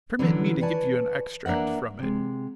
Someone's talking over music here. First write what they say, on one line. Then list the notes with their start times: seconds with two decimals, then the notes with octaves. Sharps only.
Permit me to give you an extract from it.
0.19 D3 E3 F#3 C#4 D4
0.61 B4 C#5 D5 G#5 A5
1.46 A#3 D4 A#4 E5 F#5
1.99 C3 G#3